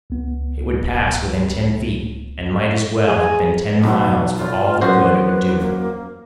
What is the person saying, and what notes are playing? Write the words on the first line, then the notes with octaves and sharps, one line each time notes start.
It would pass within ten feet--and might as well have been ten miles for all the good it would do him.
C#2 B3
G#4
B1 B3
F4
F#2 F#4 B4 C5
A#3